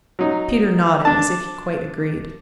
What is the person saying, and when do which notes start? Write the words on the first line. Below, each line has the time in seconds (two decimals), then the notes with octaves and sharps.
Peter nodded as if he quite agreed.
0.19 F#3 D#4
1.05 D4 A5